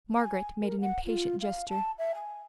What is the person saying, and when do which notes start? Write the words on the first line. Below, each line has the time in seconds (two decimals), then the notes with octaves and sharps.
Margaret made an impatient gesture.
0.17 G#5
0.61 A#4
0.81 F#5
1.05 F4
1.41 F5
1.69 A5
1.98 E5
2.15 G#5